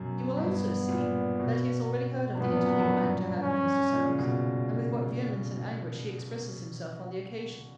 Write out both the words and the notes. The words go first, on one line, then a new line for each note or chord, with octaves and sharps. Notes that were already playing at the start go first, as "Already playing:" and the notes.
You will also see, 'that he has already heard of the interview I am to have with Mr. Solmes;' and with what vehemence and anguish he expresses himself on the occasion.
Already playing: F#2 B2
G2 B3
A#2
B2
G2
A#2 B3
F#2
F#2
F#2
G2
C#4
A#2
C#3
B2